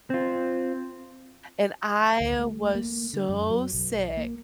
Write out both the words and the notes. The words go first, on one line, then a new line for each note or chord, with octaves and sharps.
And I was so sick,
C4 F4
D2
A3
A#3
D3
F#2
F#3
B1
A#3